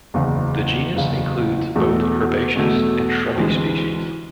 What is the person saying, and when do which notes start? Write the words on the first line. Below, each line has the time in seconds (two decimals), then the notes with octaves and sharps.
The genus includes both herbaceous and shrubby species.
0.14 F#1 E2 C#3
0.94 F#1 E2 C#3
1.75 E2 B2 F#3 A3
2.55 E2 B2 F#3 A3
3.36 D2 C3 E3 G#3